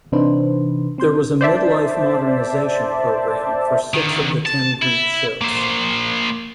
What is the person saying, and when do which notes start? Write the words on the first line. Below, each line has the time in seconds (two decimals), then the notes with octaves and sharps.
There was a midlife modernization programme for six of the ten Greek ships.
0.12 C3 E3 D4 D#4 B4 C5
0.98 C4 C6 G6
1.41 C5 D5 E5 A5
3.94 D3 D#3
4.46 A5
4.82 E4
5.42 A#3 C5